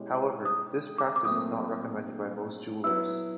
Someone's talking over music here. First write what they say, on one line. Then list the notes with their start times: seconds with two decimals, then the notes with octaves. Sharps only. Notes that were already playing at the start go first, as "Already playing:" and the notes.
However, this practice is not recommended by most jewelers.
Already playing: B2 G#3 C#4 E4 G4
0.45 D#6
0.98 D6
1.16 D6
1.25 A#2 F#3 A3 C4 D#6
2.84 F#3 B3 E4 E6